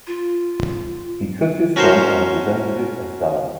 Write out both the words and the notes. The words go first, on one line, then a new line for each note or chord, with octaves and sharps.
He cut his thumb and presented it as dhanam.
F4
C#4 F#4 A#4 C5 A5 C6